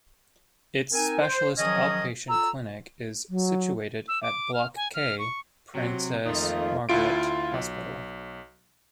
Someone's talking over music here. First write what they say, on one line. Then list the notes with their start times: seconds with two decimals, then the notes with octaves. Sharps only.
Its specialist outpatient clinic is situated at Block K, Princess Margaret Hospital.
0.93 C4 D#4 A#4 G#5
1.21 C5
1.58 D#3 F3 F#3 C#4 G#4 D#5
2.29 F4 A4 A#5 E6
3.30 F#3
4.08 E6
4.23 D6
4.54 F6
4.76 G#5
4.94 F6
5.19 C#6
5.75 C3 F#3
6.26 F2 D#3 A3 A#3 D#4 F4
6.89 D2 E4 F4 D7
7.54 B1